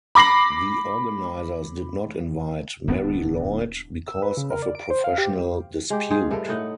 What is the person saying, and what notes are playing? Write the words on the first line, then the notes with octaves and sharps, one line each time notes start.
The organisers did not invite Marie Lloyd, because of a professional dispute.
B5 D6 A#6 C7 F#7
D1 D#2 B3 D4
E6
B4
C#3
A#4
D5
D7
C5
F5
G4
G#3 G4
D#4 F4 G#4
G2 A3 A4 A#4
A2 D#4 D#5 F#5